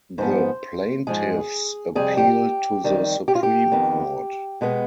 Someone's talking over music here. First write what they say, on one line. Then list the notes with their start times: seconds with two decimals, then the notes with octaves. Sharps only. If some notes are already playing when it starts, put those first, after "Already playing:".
The plaintiffs appealed to the Supreme Court.
0.18 G#2 F3 B3 C5
1.07 G#2 F3 G#3 G#4
1.95 F2 C3 G3 G#4
2.17 G4
2.84 F2 D#3 G3
3.28 G4
3.35 F4
3.43 G4
3.72 F2 D#3 B3
4.61 B2 G#3 B3